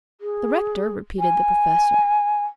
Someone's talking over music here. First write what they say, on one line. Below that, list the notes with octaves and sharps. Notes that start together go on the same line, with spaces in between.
"The rector," repeated the Professor.
G#4
G#5